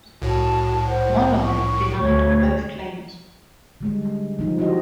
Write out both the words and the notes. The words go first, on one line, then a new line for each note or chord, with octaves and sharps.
Molloy denied both claims.
C2 A2 F#4 A5
C5 F#5
C#6
D2 A3 C#5
D3 G3 G#3
F3 D#4
D#4 E4 F#4 G4 C5 D#5